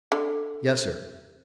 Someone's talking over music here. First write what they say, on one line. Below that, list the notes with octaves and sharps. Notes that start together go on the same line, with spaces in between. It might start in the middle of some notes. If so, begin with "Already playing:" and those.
"Yes, sir."
D3